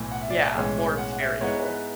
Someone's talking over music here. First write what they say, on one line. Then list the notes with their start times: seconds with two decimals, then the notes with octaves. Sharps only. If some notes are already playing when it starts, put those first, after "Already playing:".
Yeah, more spiritual.
Already playing: B1 A2 E3
0.11 F#5
0.21 E5
0.30 D5
0.39 E5
0.55 B1 A2 E3 G#3 C#4
0.98 F#5
1.12 F#5
1.20 E5
1.41 G#2 G#3 B3 E4 C#5
1.62 B4